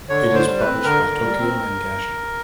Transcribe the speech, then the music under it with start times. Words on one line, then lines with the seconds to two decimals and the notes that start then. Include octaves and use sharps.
It is published by Tokyo Mangasha.
0.09 D3 C#5
0.28 D3
0.34 C5
0.47 G3
0.60 B4
0.65 C4
0.84 D3 A#4
1.03 D3
1.21 G3
1.40 C4